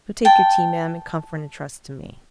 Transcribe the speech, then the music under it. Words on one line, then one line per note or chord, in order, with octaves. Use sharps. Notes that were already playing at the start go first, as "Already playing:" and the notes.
So take your tea, ma'am, in comfort, and trust to me.'
G5 A5